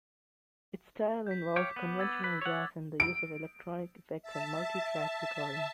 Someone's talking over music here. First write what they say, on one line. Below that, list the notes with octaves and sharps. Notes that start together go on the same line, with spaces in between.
Its style involves conventional jazz and the use of electronic effects and multitrack recording.
G6 B6
C#5 F5 G5 D6
B3
E6 G#6 A6
B4
C#5 F#5
D7
E5 A5